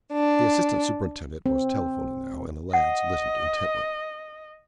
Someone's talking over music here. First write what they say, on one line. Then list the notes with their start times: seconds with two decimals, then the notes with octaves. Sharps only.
The assistant superintendent was telephoning now, and the lads listened intently.
0.11 D4
1.46 C4
2.73 D#5 F#5